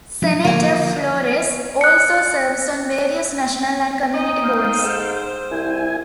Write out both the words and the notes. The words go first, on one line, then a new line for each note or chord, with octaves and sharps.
Senator Flores also serves on various national and community boards.
F3 F#3 D4
D3 F3 A#3 G#5
F#6 C#7
D#4 D#5
F5 G5
G#2 A4
C5
C2 E4 G#5